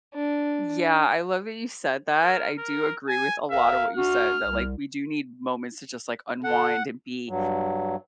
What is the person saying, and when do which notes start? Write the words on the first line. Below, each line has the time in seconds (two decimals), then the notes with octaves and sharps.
Yeah, I love that you said that, I do agree with a lot of what you said that, like, we do need moments to just, like, unwind and be,
0.14 D4
2.21 A#4
2.58 A#4
3.09 G#5
3.51 A#4 E5 F5
3.95 D4 F#4 F6
4.44 C2
6.44 A4 F#5
7.29 G2 F#3